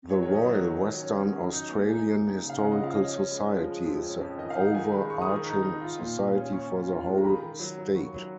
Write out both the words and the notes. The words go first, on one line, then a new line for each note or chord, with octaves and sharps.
The Royal Western Australian Historical Society is the over-arching society for the whole state.
F#3 C#5
C#5
D#3
D#5
F#3 D#5
D#3
F#3
C#4
C#4 F#5
F#3
D#4
A#3
D#4 G#5
A#3
D#4
C#3
F5
C#3 F#5
D#5
F3
F5
C#4 D#5
C#4
G#3
F3
G#3
F2
C#4
F2
D#3 D#5
F5
D#4
F#5
D#3 G#5
G#3 B5
G#3 C#6
D#6
D#3
C#6
D#4 A#5
D#4
F4
A#2
A#2
C#4
C#4 C#6
C#4
F4
G#3
A#5
D#3 B5
D#3
F#3
F#3
D#3 C#6
F#3